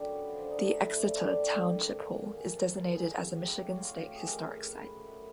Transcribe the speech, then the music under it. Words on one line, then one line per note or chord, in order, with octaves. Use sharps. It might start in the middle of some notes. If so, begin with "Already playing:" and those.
The Exeter Township Hall is designated as a Michigan State Historic Site.
Already playing: F#2 D3 F#3 G4
B3
F3
D3 D4
D#4
A3 D#4
E4
D3 D#4
E4
F3 D4
D3
D4
A3 G4
D3
D#3
C3
F#3
A#3
D#3 G#4
A4
C3
A#4
F#3 A#4
B4
A#3 A4
G#4
F#3
C#3
A3 G4
C#4
F#3 F#4
F4
C#3 F#4
F4
A3 G4
G#4
C#4
A#4
D#3
F#2
F#3 B4
A3
D#3